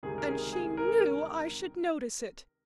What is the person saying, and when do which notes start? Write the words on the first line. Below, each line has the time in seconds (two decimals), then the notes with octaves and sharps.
And she knew I should notice it.
0.03 C#2 C3 D#3 G3 G#4
0.18 A#4
0.28 G#4
0.53 G#4
0.77 A#4